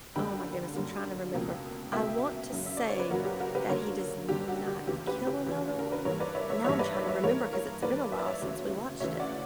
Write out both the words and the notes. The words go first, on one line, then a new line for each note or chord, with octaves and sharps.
Oh my goodness, I'm trying to remember. I want to say that he does not kill another one. Now I'm trying to remember, 'cause it's been a while since we watched it.
F#2 D3 G3 A#3 G5 B5
F#2 D3 G3 A#3
C#2 B2 A#3
C#2 B2 A#3 E5 G5
F#2 C#3 F#3 A#3
E5
D5
C#5
B4
F#2 C#3 F#3 A#3 F#4 A#4
G4
F#4 A#4
G4 B4
F#2 D3 A#3 A#4 C#5
F#2 D3 A#3 G4
F#4
G4
D2 C#3 E3 G4
G4 B4
G4 B4
D2 C#3 E3
A#4
B4
G2 E3 A#3 A#4 C#5
B4 D5
C#5 E5
C#5 E5
G2 E3 A#3 C#5 E5
B4 D5
C#5 E5
C#5 E5
G2 E3 A#3 A#4 C#5
A#4 C#5
G2 E3 A#3 B4 D5
E5
D5
C#5 E5
D2 C#3 E3
D2 C#3 E3 C#5 E5
D5 F#5